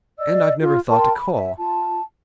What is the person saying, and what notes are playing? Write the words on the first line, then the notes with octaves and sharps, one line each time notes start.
And I've never thought to call.
D5 D#5 E6
F4
A#4 G5 A5 C6
B5
E5
F4 A5